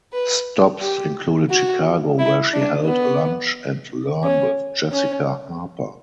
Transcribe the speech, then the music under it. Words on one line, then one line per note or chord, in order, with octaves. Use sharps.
Stops included Chicago, where she held a "Lunch and Learn with Jessica Harper".
B4
G4
F#4
E4
D4
B3
C#4
C#4